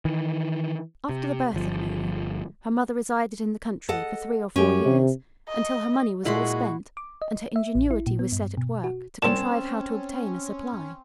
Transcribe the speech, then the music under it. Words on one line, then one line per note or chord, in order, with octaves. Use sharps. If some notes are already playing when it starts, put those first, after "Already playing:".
After the birth of Mary, her mother resided in the country for three or four years, until her money was all spent, and her ingenuity was set at work to contrive how to obtain a supply.
D#3 E3
C3
G1 F3
A4 D#5 F#5
F#2 C#4 G4
C3
D#5
A#2 G#3 E4 F#4 B5 C6
D6
D#5
E5
A1
E4
A#2
B3
G2
B2
F#4
C2 A#2 C4 C#4 A5 E7